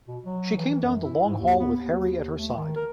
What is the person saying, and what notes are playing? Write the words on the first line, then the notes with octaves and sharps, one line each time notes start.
She came down the long hall with Harry at her side.
B2
F#3
E3
F#2
E4
G#2
D#2
B3
D#2
A3
D#3
A#4